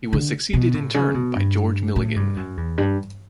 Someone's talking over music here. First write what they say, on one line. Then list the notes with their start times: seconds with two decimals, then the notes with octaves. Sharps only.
He was succeeded in turn by George Milligan.
0.13 D3
0.53 B2
0.74 A2
0.94 C#3
1.14 B2
1.35 G2
1.96 A2
2.16 G2
2.36 F#2
2.57 E2
2.78 G2